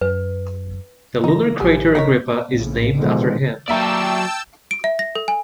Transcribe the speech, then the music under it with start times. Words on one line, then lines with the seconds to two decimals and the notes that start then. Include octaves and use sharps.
The lunar crater Agrippa is named after him.
0.01 F#2 B4
1.24 E3 D#4 A#6
1.60 A1 F#3 G4 G#5
1.95 D#4 A#4 C#5 A#6 B6
2.51 A#1 A2 C#3
2.98 B2 D3 D#3 F3 G#3 B3
3.68 F#3 A#3 D5 E5 G5 A5 A#5 E6
4.71 D7
4.84 E5
4.99 A#6
5.15 A4
5.28 G#5